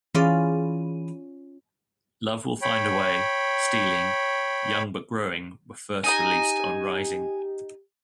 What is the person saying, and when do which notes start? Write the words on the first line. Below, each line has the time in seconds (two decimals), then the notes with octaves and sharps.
"Love Will Find a Way", "Stealing", "Young But Growing" were first released on "Rising".
0.14 E3 C#4 F4 G#4 D5
2.62 C#5 G5 B5
6.04 D#4 G4 D#5 G#5 A#5